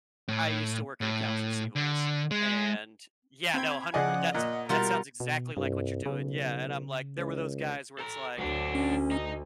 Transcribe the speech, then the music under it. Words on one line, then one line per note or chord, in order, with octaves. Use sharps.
I used to work in accounts receivables and Yeah, no, a hundred per that's a that sounds exactly like what you're doing, yeah, and I'm like, there were those guys where it's like,
A2
A2
D3
G#3
C4 G5 B5 G#6
C#3 F3 G#4 D5 D#5 F#5 G#5
A#2 D#5 F#5
B2 G3 F4 A#4 F#5
B2
C2 G2
B1 C#3
C#2
A4 A#5
D2 F#3 D4
C#4
D#5 A#5